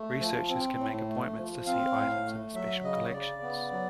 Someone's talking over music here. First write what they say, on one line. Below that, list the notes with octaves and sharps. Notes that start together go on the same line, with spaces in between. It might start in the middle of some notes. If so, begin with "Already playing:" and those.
Researchers can make appointments to see items in the special collections.
Already playing: A3
F3
C4
A2
A3
F3
C4 F5
A2
A3
F#3 E5
C#3 D#5
C#5
C#3 D5
B3
F#3